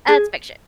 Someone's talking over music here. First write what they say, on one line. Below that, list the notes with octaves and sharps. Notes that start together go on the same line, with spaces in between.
Uh it's fiction.
G#4